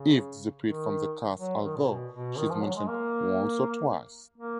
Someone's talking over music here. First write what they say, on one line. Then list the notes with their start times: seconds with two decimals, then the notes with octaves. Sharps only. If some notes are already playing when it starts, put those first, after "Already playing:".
Eve disappeared from the cast although she is mentioned once or twice.
Already playing: C#3
0.63 D#3
1.38 F#3
1.63 D#3
1.76 A#2
1.88 B2
2.13 B2
2.38 D#3
2.50 F3
2.63 F#3
2.75 G#3
2.88 A#3
4.38 A#3